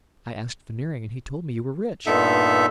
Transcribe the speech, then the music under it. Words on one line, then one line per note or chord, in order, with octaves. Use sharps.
'I asked Veneering, and he told me you were rich.'
G2 A#2 B3 D#4 A4 E5